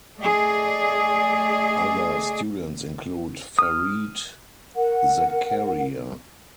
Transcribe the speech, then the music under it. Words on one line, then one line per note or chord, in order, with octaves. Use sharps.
Other students include Fareed Zakaria.
A3 G#4 D5 D#5
D#6 F6
A#4 F#5